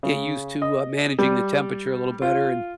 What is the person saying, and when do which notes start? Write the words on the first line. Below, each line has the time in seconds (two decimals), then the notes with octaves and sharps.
get used to, uh, managing the temperature a little better and
0.03 C#3
0.62 D#5
1.19 G3
2.22 F4